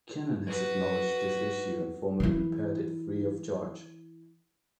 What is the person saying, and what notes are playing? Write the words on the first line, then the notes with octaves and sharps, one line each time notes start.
Canon has acknowledged this issue and formerly repaired it free of charge.
F#4 B4
E3 E4